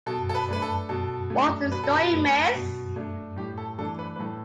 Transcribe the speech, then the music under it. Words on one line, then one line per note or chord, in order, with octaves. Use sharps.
What's the story, miss?
B2 A4
A4
B4
A3 D4 B4
A4
B2 A4
A3
D4
B2 B4
A4
B4
A3 D4
B2
A3 D4
A2 G4
A4
E3 A3 D4 A4
B4
B4
A2 A4